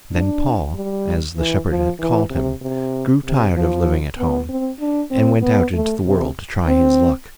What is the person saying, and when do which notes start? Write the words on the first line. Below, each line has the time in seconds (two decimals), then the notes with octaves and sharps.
Then Paul, as the shepherd had called him, grew tired of living at home, and went out into the world to try his luck.
0.12 D4
0.75 G3
1.37 E3
1.69 F3
2.00 E3
2.30 C3
2.62 C3
3.24 C3
3.55 F3
4.18 B3
4.49 C4
4.80 D4
5.11 C4
5.42 B3
5.73 A3
6.05 C3
6.67 C4